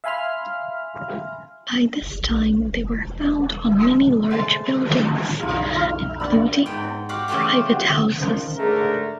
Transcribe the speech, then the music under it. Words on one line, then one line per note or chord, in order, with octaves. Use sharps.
By this time they were found on many large buildings, including private houses.
E5 F5 G#5 B5 C6 F6
F#1
A#1
F1
E1
G#3 A3 C5 A5
B1 F2 G3 D#4 E4
F6
A#1 D5 B5
G#2 B3 G5
F#4 G4 F5 F#5
C#3 E3 F3 A3 G4
D#3 F3 C#4
G#2 D3 A3 G#4 A#4